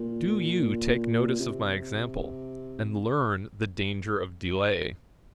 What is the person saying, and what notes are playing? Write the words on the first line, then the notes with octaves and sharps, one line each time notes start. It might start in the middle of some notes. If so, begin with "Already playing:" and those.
Do you take notice of my example, and learn the danger of delay.
Already playing: A#2
C3